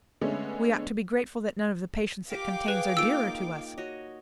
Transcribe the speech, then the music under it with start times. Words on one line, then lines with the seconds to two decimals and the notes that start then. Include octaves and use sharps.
"We ought to be grateful that none of the patients it contains are dearer to us."
0.21 D3 G#3 A3 B3 C#4
2.31 G4 A#4 F5 G5 D6
2.68 G#4 B4
2.97 A#3 D#4 F4 E6 D7
3.78 F#4 C#5 D#5